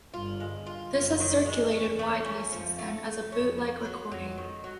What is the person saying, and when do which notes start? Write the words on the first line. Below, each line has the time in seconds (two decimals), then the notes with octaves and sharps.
This has circulated widely since then as a bootleg recording.
0.13 G1 G2 F4
0.40 G#3
0.66 F4
0.93 F#1 F#2 F4
1.20 D#3
1.46 G#3
1.72 E2 C#4
1.99 A3
2.25 C#4
2.52 F2 F3
2.79 A3
3.05 A3
3.32 F2 C#4
3.58 A#3
3.85 F#3
4.12 F2 F#3
4.38 D#3
4.64 F#3